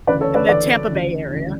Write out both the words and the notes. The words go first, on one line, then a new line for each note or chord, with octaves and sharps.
and the Tampa Bay area.
D2 C#3 E3 B4 D5
A4 C#5
B4 D5
D2 C#3 E3 B4 D5
D2 C#3 E3
D2 C#3 E3